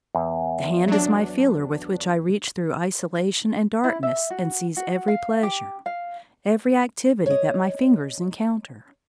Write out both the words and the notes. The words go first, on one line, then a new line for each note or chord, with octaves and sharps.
The hand is my feeler with which I reach through isolation and darkness and seize every pleasure, every activity that my fingers encounter.
E2
F#3 D4
E4
E5
F#4
F#4
F5
G4
F5
C#5 D#5